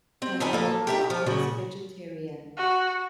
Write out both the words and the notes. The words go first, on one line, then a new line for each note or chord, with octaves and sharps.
Maiorca was a vegetarian.
C4
D3 D#4 B4 G#5
A#3 A4
G4 E5 A#5
F3
A#2 C#3 F#4
F#4